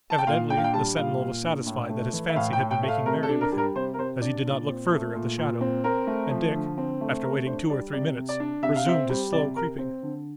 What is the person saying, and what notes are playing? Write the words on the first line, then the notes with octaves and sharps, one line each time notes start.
Evidently the sentinel was satisfied that his fancy had been making merry with him, as he did not look further at the shadow, and Dick, after waiting two or three minutes, resumed his slow creeping.
A5
G5
A#2 F5
D4 G5
F5
G5
G3 A5
A#2 F5
A#2
D4
A2
A3
E3
E5
A2 F5
G5
A2
G5
A3
F5
C3 A#4
A4
D4
A#4
G3
A#4
C3 C5
A#4
C3 C5
D4 D5
A#2
C4
A3
A#2
A#2
C4
C4 A#4
A3
F3
D3
C4
A3
C3 A#4
D4 C5
G3 D5
C3 D5
C3
D5
D4
C3 E5
F5
C4 E5
G3
C3 D5
C3 A#4
C4
D3